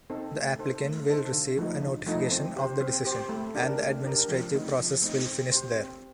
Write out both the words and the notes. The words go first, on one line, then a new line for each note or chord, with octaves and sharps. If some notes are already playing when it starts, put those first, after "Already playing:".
The applicant will receive a notification of the decision, and the administrative process will finish there.
C4 D#4 A4
A3
D#4 A4 C5
A3
D#4 A4 C5
D3
F3 A3 D#4
D3
F3 A3 D#4
C4
G4 C5
C4
G4 C5
A3
D4 G4 A#4
A3
D4 G4 A#4
F3
A3 C4 D#4
F3
A3 C4 D#4
C4
G4 C5
C4